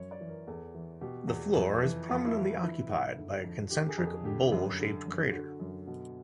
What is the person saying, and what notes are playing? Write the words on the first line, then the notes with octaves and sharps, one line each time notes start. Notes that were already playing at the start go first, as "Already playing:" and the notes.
The floor is prominently occupied by a concentric, bowl-shaped crater.
Already playing: F#2 C#5
D5
E3
A#4
E2 A4
E3
B2 G4
E2
F2
E3
F2 F4
E4
E3
F4
E3 E4
G#2
D3
F2
D3 G4
G#4
F2
G#4
D3 G4
F#2
D3
F#2
D3 F#4
F#2
B2